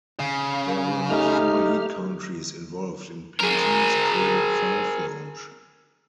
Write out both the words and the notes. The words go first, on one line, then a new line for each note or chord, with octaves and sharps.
There were four lead countries involved in Pantene's Pro-V launch.
C#3
A3 D#4 G4 F6
G#4 A#4